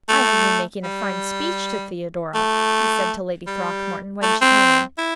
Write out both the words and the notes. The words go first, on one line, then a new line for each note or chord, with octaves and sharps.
"I have been making a fine speech to Theodora," he said to Lady Throckmorton, when she came in.
A3
G3
A3
G3
A3
C4
E4